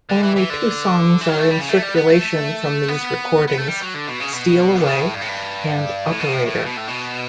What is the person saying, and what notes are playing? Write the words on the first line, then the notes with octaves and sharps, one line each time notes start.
Only two songs are in circulation from these recordings: "Steal Away" and "Operator".
D3
E3
E3
D3
E3
F#3
A3
G3
C#3
A3
G3
B3
A3
B3
B3
A3
G3
F#3
D3
B2
C#3
B2
D3
C#3
A2
G2
A2
G2
A2
B2
A2
A2
B2
A2
B2